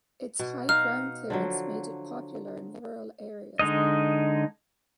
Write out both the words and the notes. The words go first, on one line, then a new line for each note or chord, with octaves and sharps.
Its high ground clearance made it popular in rural areas.
B2
D#4 F5 F6
D3 F3 F#3
D3 G#3 D#4 D#5